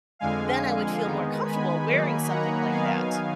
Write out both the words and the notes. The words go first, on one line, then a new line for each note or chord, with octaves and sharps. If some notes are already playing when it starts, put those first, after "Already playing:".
then I would feel more comfortable wearing something like that.
F2 D3 G#3 F5 G#5
D#3 G#3 B3 D#4
G#5 B5
D#3 F#3 A#3 D#4
F#5 A#5
D#3 F#3 B3 D#4 F5 G#5